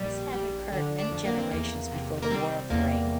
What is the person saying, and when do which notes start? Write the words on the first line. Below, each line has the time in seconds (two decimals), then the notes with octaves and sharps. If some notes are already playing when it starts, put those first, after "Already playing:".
This had occurred "many generations" before the War of the Ring.
Already playing: A#1 G3
0.33 G3
0.72 D3
0.98 D4
1.11 F2
1.25 A#3
1.38 C4
1.51 E2 A#3
1.92 C3
2.22 A#3
2.31 G3 C4
2.70 E2 A#3